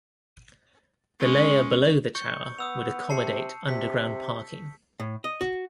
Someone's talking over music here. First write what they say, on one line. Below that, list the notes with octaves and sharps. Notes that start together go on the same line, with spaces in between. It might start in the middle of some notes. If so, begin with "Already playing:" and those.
The layer below the tower would accommodate underground parking.
G#3 C#4
C#6 G6 C#7
B3 D#6 E6 F7
C3 A5 C7 C#7
C3 B6
A2
D#5
F#4